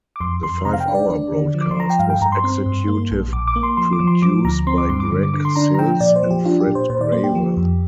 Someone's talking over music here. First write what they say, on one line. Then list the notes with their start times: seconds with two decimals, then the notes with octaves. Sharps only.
The five-hour broadcast was executive produced by Greg Sills and Fred Graver.
0.16 D6
0.20 F2 C6
0.43 F2 C6
0.65 C3 A#5
0.73 F5
0.80 G5
0.88 D4
0.95 D5
1.10 D4
1.32 D3
1.55 F3
1.61 D6
1.71 C6
1.77 F3 A#5
1.90 G5
1.99 G2 F5
2.10 G5
2.21 G2 A#5
2.32 C6
2.44 C4
2.66 G2
2.88 A#3
3.11 A#1
3.33 A#1 D6
3.47 D6
3.56 A#3
3.63 C6
3.77 F3 C6
3.93 D6
4.00 F3
4.07 C6
4.22 F3 D6
4.44 D2 A#5
4.67 C4 C6
4.78 D6
4.89 G2 C6
5.00 D6
5.11 D3
5.23 D6
5.34 D3 D6
5.45 C6
5.56 D4 A#5
5.74 A#5
5.79 F3 G5
6.00 A#2 D5
6.16 C5
6.23 F3
6.30 G4
6.45 D4 F4
6.60 G4
6.67 A#2
6.75 C5
6.90 A#2 C5
7.01 D5
7.12 A#3 C5
7.24 G4
7.35 F3
7.57 F2